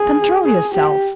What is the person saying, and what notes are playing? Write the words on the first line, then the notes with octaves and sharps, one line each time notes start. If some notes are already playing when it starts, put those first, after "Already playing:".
Control yourself!
Already playing: G#4
G#4
G4